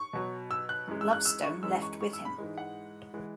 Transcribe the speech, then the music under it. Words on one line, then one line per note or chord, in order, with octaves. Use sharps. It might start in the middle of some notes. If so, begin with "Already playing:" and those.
Lovestone left with him.
Already playing: C#6
B2 F#3
E6
F#6
F#2 E3 G#3
E6
F#6
E6
C#6
F#2 E3 G#3 E6
C#6
C#6
E6
B5
G#2 E3 G#3
F#5
E3 G#3